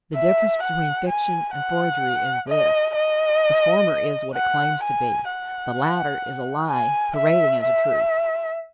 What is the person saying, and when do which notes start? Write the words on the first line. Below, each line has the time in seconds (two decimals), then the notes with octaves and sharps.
The difference between fiction and forgery is this: the former is, what it claims to be; the latter is a lie parading as a truth.
0.15 E5
0.63 F#5
1.09 G#5
1.55 F#5
2.49 D#5
2.96 D#5
4.36 F#5
4.83 G#5
5.30 F#5
6.70 G#5
7.17 E5
7.64 E5